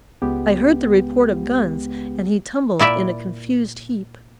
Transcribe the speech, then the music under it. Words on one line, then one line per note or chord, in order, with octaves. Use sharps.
I heard the report of guns, and he tumbled in a confused heap.
C#2 G#3 B3 G4
A#2 E4 D5 E5